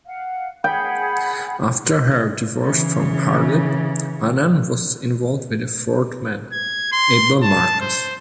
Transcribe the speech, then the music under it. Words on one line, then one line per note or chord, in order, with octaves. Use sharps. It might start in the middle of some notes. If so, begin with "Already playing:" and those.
After her divorce from Harlib, Annan was involved with a fourth man, Able Marcus.
F5 F#5
G#4 F#5 G5 B5
C#3 E3
G#6
C6
A5
C5